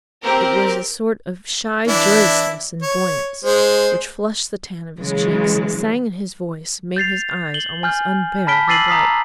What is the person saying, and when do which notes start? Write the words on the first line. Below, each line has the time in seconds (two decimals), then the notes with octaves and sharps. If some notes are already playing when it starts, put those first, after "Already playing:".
It was a sort of shy joyousness and buoyance, which flushed the tan of his cheeks, sang in his voice, made his eyes almost unbearably bright....
0.23 C4 G4 A#4
1.88 E3 D4 E4
2.83 C#5
3.45 G#3 C5
4.98 C#3 E3 F#3 G#3
6.96 G6 A6 C7 F7
7.54 F#7 G7
7.83 G#5 F6 G6
8.47 A5 B5 F6 B6 D7 G7
8.68 D6 E6 A6 C7 D#7 F#7
8.88 A#5 D#6 B6 C7